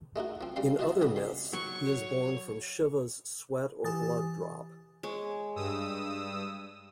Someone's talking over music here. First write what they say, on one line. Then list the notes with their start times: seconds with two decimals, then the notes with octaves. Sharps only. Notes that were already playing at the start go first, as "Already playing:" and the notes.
In other myths, he is born from Shiva's sweat or blood drop.
0.16 G#3 A3 D#4 F#4
0.41 F3 C4
0.56 C#3 G3 C#4 F5 C6
0.79 F4 F#4 C5 D#5 E5 A5
1.01 C#2 B2 D3 B5 D#6
1.16 F2 C6
1.53 F#3 C#6
1.86 C#5
3.84 E3 G4 G#5 D#6 A6
5.03 G#3 C#5
5.56 G2 D#6 E6